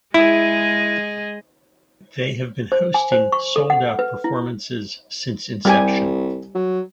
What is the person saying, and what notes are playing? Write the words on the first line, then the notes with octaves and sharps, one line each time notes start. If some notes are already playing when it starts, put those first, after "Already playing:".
They have been hosting sold out performances since inception.
G#3 E4 G#4 D#5
C5
G#5
C5
C#6
A4
F#5
B4
E4
C2 G3 G4 G#5
F#3